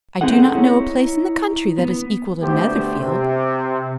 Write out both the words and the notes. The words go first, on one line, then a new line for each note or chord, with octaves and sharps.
I do not know a place in the country that is equal to Netherfield.
B3 C4 D#4 G#4 A4 F#5
D#4 E4 C#5
B3
D2 G2 A3 B3 G4 C5
C3